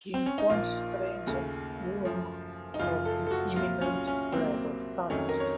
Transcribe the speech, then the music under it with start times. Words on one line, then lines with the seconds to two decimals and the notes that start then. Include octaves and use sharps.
He informs Strange and Wong of the imminent threat of Thanos.
0.14 C4
0.26 C#4
0.38 D#4
0.50 A#1 A#2 F3 A#3 F4
1.27 D#2 C#3 A3
2.03 F#2 F3 A3
2.74 D#4
2.79 F#1 F#2 C#3 F3 F4
3.05 A4
3.27 A4
3.31 F#4
3.56 C2 A#2 F#3 F4
3.81 C#4
4.07 C#4
4.32 C2 A#2 F#3 A#3 C4
5.10 F2 D#3 F#3 A3 C#4
5.29 A#4
5.40 C#5